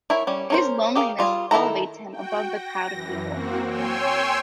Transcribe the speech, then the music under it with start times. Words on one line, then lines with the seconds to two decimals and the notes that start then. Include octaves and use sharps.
His loneliness elevates him above the crowd of people.
0.10 E4 A#4 C#5 E5 G#5
0.27 G3 C#4
0.50 C#4 A#4 C5
0.95 G4 G#4 A#4 F5
1.19 G3 F4 F#4 G#4
1.51 D#3 A#3 E4 A4 A#5
2.11 F#4 G5
2.50 A#6
2.91 F#2 E3
3.31 A#3 C4 F#4
3.67 C#5 G5 G#5 C6 E6